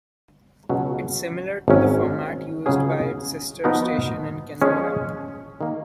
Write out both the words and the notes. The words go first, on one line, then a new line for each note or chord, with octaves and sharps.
It's similar to the format used by its sister station in Kenora.
C#2 B2 F#3 C#4
G#1 G#2 F#3 C#4
C#2 C#3 F#3 C#4 G#4
F3 B3 D#4 F#4 A#4
F3 G#3 C#4 G#4
D#3 A#3